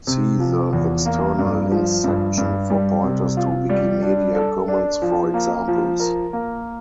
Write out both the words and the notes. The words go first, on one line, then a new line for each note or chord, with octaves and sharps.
See the "External links" section for pointers to Wikimedia Commons for examples.
C3
F3
E2
A#3
G2
F3
G2
G2
G3
C3
F4
G3
D4
A4
D4
F3
A#3
F3
A#4
A#3